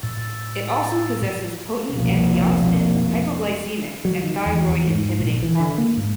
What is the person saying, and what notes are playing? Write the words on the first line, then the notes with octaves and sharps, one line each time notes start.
It also possesses potent antioxidant, hypoglycemic and thyroid inhibiting properties.
A2
F1 C2 B2 A#3
F#3
D#3
E2
E2
G#2
A#1
E3
D3
A#3
G#2